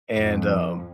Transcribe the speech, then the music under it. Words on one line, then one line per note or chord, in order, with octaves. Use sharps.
and, um,
F2